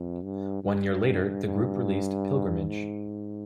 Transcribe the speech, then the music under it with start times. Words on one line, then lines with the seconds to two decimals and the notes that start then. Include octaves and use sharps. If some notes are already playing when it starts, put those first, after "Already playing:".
One year later, the group released "Pilgrimage".
Already playing: F2
0.24 G2
0.64 G2
1.45 G2
2.68 G#2